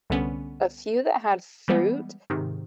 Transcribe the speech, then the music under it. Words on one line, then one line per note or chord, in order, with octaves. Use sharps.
a few that had fruit
C2 D3 B3 C#4
E3 G3 G#3 B3
G#2 C3 D#3